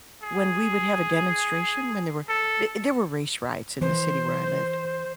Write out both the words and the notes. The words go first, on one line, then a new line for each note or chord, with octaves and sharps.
when we would have a demonstration, when there were b there were race riots in the city where I lived,
G#4
A4
E3 C5